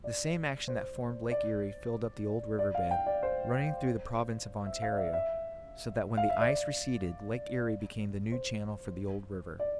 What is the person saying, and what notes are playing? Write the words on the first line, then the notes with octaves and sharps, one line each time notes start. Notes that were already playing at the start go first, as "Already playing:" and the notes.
The same action that formed Lake Erie filled up the old river bed running through the province of Ontario, so that when the ice receded Lake Erie became the new channel for the old river.
D5
C5
D5
D5
F5
G5
D5
C5
C5
E5
F5
D5
E5
E5
F5
E5
D5
C5
D5